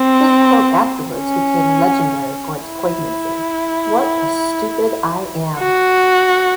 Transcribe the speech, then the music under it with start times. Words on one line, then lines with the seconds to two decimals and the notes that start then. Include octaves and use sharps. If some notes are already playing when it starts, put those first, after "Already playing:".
His quote afterwards became legendary for its poignancy: What a stupid I am!
Already playing: C4
1.14 C#4
2.62 E4
5.59 F#4